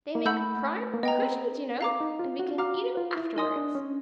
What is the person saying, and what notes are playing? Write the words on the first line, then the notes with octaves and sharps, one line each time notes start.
"They make prime cushions, you know, and we can eat 'em afterwards."
A#3
A3 F#5 B5 E6 G6
A#3
B3 D#5 G5 A#5
C4
F5 A#5 D6
D#4
F4
F#4
F4
F#4 F5 A#5 D6 F6
F4
E4
D#4 A#4 D#5 G#5 C6 D#6
D4
C#4